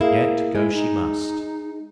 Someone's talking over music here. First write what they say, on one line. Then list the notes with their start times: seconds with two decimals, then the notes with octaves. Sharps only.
Yet go she must.
0.01 A#3 E4 G#4
0.55 G#3 E4
0.74 D#4